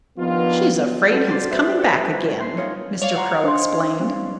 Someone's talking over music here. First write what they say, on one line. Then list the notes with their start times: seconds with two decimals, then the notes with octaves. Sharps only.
"She's afraid he's coming back again," Mr. Crow explained.
0.18 G2 D#3 F3 B3 F4
1.11 G3 C4 F#4 A4 B4
1.28 D5 C6
1.51 B4 C5 E5
1.79 B4 C#5 E5 G5
2.40 C6
2.58 C#4 D#4 F4 C#5
3.02 C#5 D5 F5 F7
3.16 F#5 A#5 C6
3.44 D4 C5 D#5 C6
4.00 F#3 G3 C4